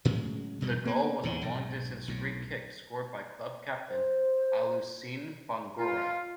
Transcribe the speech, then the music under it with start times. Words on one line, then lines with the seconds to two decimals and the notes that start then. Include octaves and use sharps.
The goal was a long distance free-kick scored by club captain Alusene Bangura.
0.05 A2 C#3 F#3 G#3
0.61 E1 B2 G3
0.85 A#3 B3
1.23 E2 A#2 D3
1.42 B1 G#2
2.08 B1 A2
3.89 C5
5.79 F4